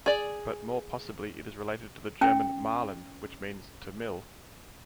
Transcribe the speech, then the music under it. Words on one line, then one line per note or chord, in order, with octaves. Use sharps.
But more possibly it is related to the German "mahlen" which means "to mill".
G#4 D5
C#4 G5